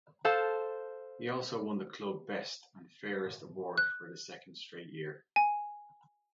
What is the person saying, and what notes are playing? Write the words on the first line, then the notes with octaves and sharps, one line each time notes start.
He also won the club best and fairest award for the second straight year.
A4 C5 F5 A5
F#6
G#5